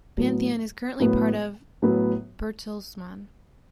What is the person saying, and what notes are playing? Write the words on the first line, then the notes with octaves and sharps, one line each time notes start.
Pantheon is currently part of Bertelsmann.
A2 F#3 B3
A2 F#3 B3
A2 F#3 B3